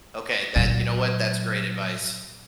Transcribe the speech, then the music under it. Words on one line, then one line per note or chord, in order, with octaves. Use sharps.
Okay, that you know what, that's great advice.
A#2 F#3